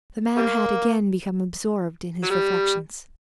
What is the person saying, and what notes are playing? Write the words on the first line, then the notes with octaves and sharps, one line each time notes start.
The man had again become absorbed in his reflections.
G3 A#3
F#3
G3